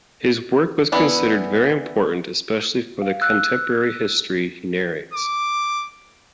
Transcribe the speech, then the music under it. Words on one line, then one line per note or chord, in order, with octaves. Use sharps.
His work was considered very important especially for the contemporary history he narrates.
E3 B3 D4 E4
F5
E6 F#6
D6